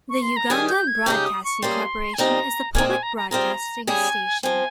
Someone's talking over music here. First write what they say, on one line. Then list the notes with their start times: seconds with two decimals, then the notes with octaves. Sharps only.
The Uganda Broadcasting Corporation is the public broadcasting station.
0.10 C#6
0.22 C6
0.36 A#5
0.50 D#3 G3 C#4 G#4 G#5
0.68 G6
0.88 G#6
1.06 C#3 G#3 D#4 G4 G6
1.25 D#6
1.44 C#6
1.62 G3 A#3 C#4 G#4 C6
2.14 G#5
2.18 A#2 G3 C4 D#4 A#5
2.74 A#2 G#3 C4 G#5
2.89 G#5
3.03 A#5
3.17 A#5
3.30 G3 C4 F4 G#4 A#5
3.87 G3 C#4 G#4 G#5
4.43 F3 C4 G#5